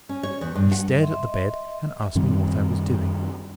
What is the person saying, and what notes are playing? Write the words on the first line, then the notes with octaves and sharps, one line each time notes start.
He stared at the bed, and asked me what I was doing.
C#4
C#5
E2
G2
F#5
D#5 E5 C6
F#2 D#3 G3 C4